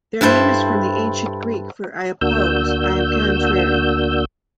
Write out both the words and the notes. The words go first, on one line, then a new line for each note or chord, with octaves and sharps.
Their name is from the ancient Greek for "I oppose; I am contrary".
G2 E4 A4 C5
D2 A#3 D4 F#4 E6 G6